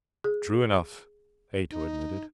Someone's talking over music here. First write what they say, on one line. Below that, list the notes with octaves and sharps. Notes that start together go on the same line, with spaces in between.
"True enough," Ato admitted.
G#4
D#4